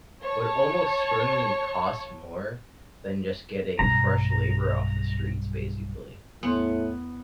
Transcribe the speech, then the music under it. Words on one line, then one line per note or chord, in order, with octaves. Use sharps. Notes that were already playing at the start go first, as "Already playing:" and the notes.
would almost certainly cost more than just getting fresh labor off the streets, basically.
C#5 A5
B1 G2 A#5
E2 A2 B3 C6